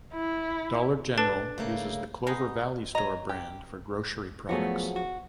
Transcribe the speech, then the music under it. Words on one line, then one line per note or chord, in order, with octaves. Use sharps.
Dollar General uses the Clover Valley store brand for grocery products.
E4
D4 A4 B4 A5
C#3 A3 A#3
G#3 B3 D#4
F#3 D#5 A#5
G4
F3 F#3 A3 B3 F#4 G#4
F#4